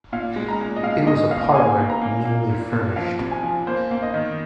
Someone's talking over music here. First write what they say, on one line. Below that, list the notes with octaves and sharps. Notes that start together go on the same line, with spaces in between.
It was a parlour meanly furnished.
A#2 F5
G#3
A#5
A#2
D#5
G#3 F5
A#2 D#5
A#2 F5
A#3 G#5
A#3
A#5
A#3
A#3
A#2
A#2
F3 F5
C3
G#5
F3
A#3 C5
A#3
D#5
D#3